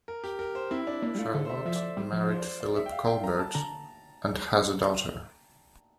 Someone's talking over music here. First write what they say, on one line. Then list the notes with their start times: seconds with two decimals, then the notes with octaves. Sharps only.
Charlotte married Philip Colbert and has a daughter.
0.08 A#4
0.24 G4
0.39 A#4
0.55 C5
0.71 C4 E4
0.87 D4
1.02 A#3 D4
1.15 G3
1.18 A3 F4
1.34 D3 A4
1.45 C5
1.49 E5
1.55 D5
1.65 F3 E5
1.76 D5
1.82 C5
1.97 G3
2.12 F3
2.29 C5
2.37 D5
2.45 C5
2.60 D5
2.76 E5
2.86 G5
2.92 F5
3.07 G5
3.24 A#5
3.39 A5
3.54 D3 A#5